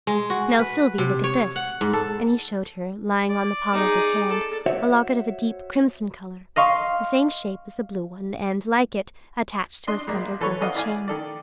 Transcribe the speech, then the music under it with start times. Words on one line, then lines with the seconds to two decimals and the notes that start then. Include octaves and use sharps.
"Now, Sylvie, look at this." And he showed her, lying on the palm of his hand, a Locket of a deep crimson colour, the same shape as the blue one and, like it, attached to a slender golden chain.
0.07 G#3
0.30 F#4
0.59 B4
0.98 C3
1.24 C#5
1.56 F#5
1.81 G#2
1.93 A4
3.29 D5
3.73 D#4 G#4
4.29 A4
4.66 F#4 C5 C#5 E5 F#5
6.56 D#5 F5 C6 C#6
9.87 D4 D#5 C6
10.07 A#1 G#3 A#3 D5
10.41 E3 A4 B4 C#5
10.60 A4 D5 D#5 F5 F#5
10.75 E4 D5 F5 G#5
11.08 D#3 A4 D5